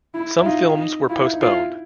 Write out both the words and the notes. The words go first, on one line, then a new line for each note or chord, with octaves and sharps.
Some films were postponed.
E4
E4
D#4 F4
D#4
E4 F4
E4
D#4
E4 F4